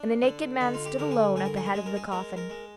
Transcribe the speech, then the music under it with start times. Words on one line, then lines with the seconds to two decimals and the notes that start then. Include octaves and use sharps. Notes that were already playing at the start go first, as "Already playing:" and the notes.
And the naked man stood alone at the head of the coffin.
Already playing: D4
0.23 D3
0.60 D3 D#4
0.74 F4
0.85 G4
0.99 D3 A#4
1.11 G#4
1.36 G2 G#4
1.45 A#4
1.56 G#4
1.66 A#4
1.74 G#3 G#4
1.86 A#4
1.96 G#4
2.12 G#3 A#4
2.37 A#4
2.50 G#3